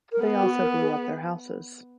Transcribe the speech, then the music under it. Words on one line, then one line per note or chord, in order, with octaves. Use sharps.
They also blew up their houses.
A#4
B3 G#4
F#4
A#4
G#4